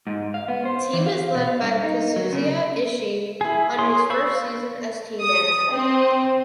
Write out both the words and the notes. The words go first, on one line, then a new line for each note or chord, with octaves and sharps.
The team is led by Kazuhisa Ishii on his first season as team manager.
G#2
F5
B3
C5
E3
F5
B2
F5
G2
D#4
F#3
C#3
E4 G#4
G#4 C#5 C6 D#6
C5 F5 B5 C#6 E6
D#6
C4